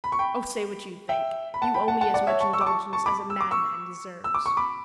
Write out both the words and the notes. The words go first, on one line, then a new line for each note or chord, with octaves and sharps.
"Oh, say what you think; you owe me as much indulgence as a madman deserves."
B5
C#6
G5 B5
E5 G5
B5
F#5 A5
G5 B5
F#5 A5
F#5 A5
D5 F#5
C#5 E5
A5 C#6
C#6 E6
D6
A5 C#6
A5 C#6
B5 D6
E6
D6
C#6 E6
E6
D6
C#6
B5 D6